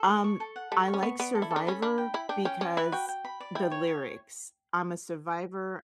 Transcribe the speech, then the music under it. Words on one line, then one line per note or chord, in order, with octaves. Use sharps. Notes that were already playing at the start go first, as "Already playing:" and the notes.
Um, I like Survivor because the lyrics, "I'm a survivor"
Already playing: A4
D5
C#6
A4
F#5
G3 A4
C#6
C#4
B3 C#6
B3 D5
A4
E4
A4
D4
C#4 B5
D4 B5
G5
E4 B5
D4 G5
C#4 G5
C#4 D5
E4 B4
F#4 G5
G5
B5
D5
E4 G5
C#5
C#5